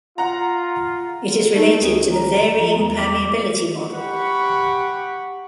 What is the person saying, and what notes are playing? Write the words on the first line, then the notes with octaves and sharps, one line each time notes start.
It is related to the Varying Permeability Model.
F4 F#5 A#5
A3 D#4
C#2 G#4
A#5
F3
E2
D6
G4 F#5 B5 C#6